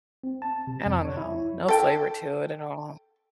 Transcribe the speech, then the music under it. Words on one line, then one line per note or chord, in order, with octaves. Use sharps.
I don't know, no flavor to it at all.
C4
A5
C3
F2
C#5
E4
A4 G5